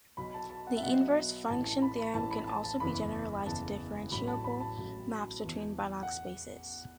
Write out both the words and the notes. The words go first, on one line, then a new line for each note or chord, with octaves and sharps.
The inverse function theorem can also be generalized to differentiable maps between Banach spaces.
B1 B2 F#3 B5
A5
A5
F#5
E5
B1 B2 F#3 F#5
A1 A2 E3 A5
A5
B5
B5
A1 A2 E3 A5
B5
A5
A5
F#1 E2 E3 B5
F#1 E2 E3 A5
A1 A2 F#3 B5
A5
B5
A5
A1 A2 F#3
E2 E3
F#5